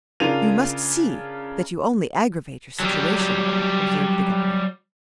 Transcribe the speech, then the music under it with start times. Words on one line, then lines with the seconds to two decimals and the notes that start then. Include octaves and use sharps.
"You must see that you only aggravate your situation," observed the governor.
0.20 C#3 D4 F4 A#4 D#7 F7
2.80 F#3 G3